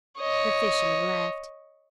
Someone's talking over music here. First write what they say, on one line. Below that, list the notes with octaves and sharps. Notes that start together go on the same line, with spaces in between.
The fisherman laughed.
C#5 D#5